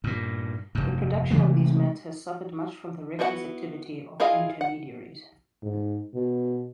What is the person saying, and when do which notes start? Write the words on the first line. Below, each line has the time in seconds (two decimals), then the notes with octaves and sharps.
The production of these mats has suffered much from the reckless activity of intermediaries.
0.04 G2 A#2
0.75 F1 G2
1.31 C3 E3 G#3 A3
3.19 B3 E4 F#4 D5 F#5
4.20 E4 F4 G#4 D#5 F5
4.61 F#5
5.63 G#2
6.15 B2